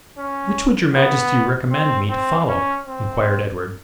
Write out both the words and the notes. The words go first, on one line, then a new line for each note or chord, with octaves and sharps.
"Which would your majesty recommend me to follow?" inquired Edward.
C#4
B3
C4
C4
C#4
C4